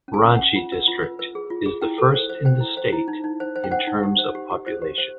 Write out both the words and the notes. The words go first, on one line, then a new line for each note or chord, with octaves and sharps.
Ranchi district is the first in the state in terms of population.
C#4
G#5
C#4
C#4 F#5
F4
B4
F4
B4
B4
G#4
F4
G#4
E4 G5
A4
C5
C5
C5 G5
E4
C5
E4
D#4
D#4
C5
C5
G5
C5 F#5
D#4
G4
C5
G4
G4
C5
G4
C5